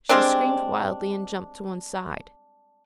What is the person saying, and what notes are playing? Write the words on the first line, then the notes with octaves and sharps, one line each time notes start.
She screamed wildly and jumped to one side.
G3 G#3 C4 D4